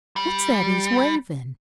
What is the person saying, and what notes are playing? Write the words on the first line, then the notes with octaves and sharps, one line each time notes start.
What's that he's wavin'?
G3